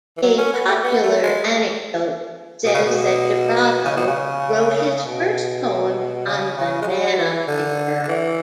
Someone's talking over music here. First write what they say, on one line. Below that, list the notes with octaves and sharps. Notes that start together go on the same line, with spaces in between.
A popular anecdote says that Debravo wrote his first poems on banana paper.
E3
F#3
C#4
B3
A3
B3
A3
G#3
B2
C#3
B2
C#3
B2
C#3
B2
C#3
C#3
G#3
F#3
E3
D3
D3
E3